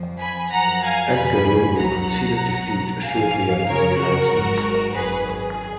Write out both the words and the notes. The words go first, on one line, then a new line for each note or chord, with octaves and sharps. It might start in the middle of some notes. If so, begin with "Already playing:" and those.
Edgar Lungu conceded defeat shortly after the announcement.
Already playing: F2 F3
G#5 B5
F#2 F3 F#5 A#5
F5 G#5
F2 C#3 F3 G#5 B5
C#2 B2 F#3 F#5 A#5
B1 B2 F#3
A#1 G#2 F3 F5 G#5
F#2 C#3 F3 A#4 C#5
F#4 A#4
G#1 G#2 F#3
G#1 F#2 D#3 F#3 G#4 B4
G#4